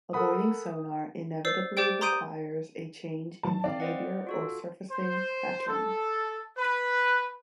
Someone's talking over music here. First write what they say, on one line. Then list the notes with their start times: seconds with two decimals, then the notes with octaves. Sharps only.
Avoiding sonar inevitably requires a change in behavior or surfacing pattern.
0.13 A4 A#4 F#5 B5 D#6
1.45 C5 D5 E6 C7
1.77 G4 C5 D5 G5 D7
2.01 A#5 C6 D#6 G6 D7 D#7
3.43 F#3 A5
3.64 C4 D5 F5
3.80 C5 D#5 F#5
4.27 F4 F#4 A4
4.91 C5
5.67 A4
6.57 B4